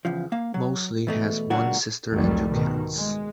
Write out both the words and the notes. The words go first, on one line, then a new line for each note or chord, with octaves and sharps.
Mosley has one sister and two cats.
E2 C#3 F3
A#3 F5
F#3
E2 B2 A3
C#2 A#2 F#3 D4 F#4 A#4
C2 F2 D#3 F#3 G3 A3
G#2 B2 D#3
G#3